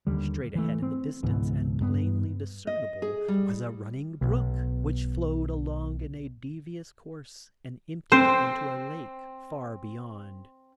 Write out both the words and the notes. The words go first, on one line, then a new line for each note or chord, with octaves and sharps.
Straight ahead in the distance and plainly discernible was a running brook which flowed along in a devious course and emptied into a lake far beyond.
D#2 D3 G3
E3 A3
C4
C#2 G#2 B2 E3
G2 B3
D#5
G#4
G3
B1 B2
C4 C5